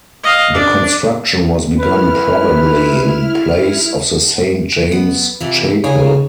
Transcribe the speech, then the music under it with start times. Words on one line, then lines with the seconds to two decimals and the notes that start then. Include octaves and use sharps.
The construction was begun probably in place of the Saint James Chapel.
0.23 D#5 F5
0.54 D4
1.80 E4 B4 F6
4.92 B3
5.40 C3 E3 F4
5.84 C#3 G#4 G#5